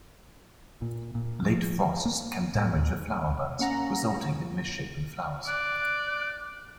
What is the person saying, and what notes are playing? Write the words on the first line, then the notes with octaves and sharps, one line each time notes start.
Late frosts can damage the flower buds, resulting in misshapen flowers.
A#2
A#2
F3
A#3
A2
D#2
A#3 C#4 F#5 A#5 A#6
D5 F#6